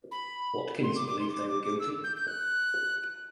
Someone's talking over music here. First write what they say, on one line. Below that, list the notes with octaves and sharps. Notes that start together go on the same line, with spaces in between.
Watkins believed they were guilty.
B5
C6
D6
D6
C6
D6
D6
D6
E6
G6
G6
F#6